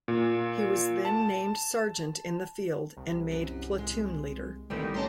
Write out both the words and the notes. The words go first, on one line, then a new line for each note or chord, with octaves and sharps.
He was then named sergeant in the field and made platoon leader.
A#2
A5
C2
F#2
G#3
B1 D#3 E3 G3 A3 C4
C#4 G4 A5 A#5 C6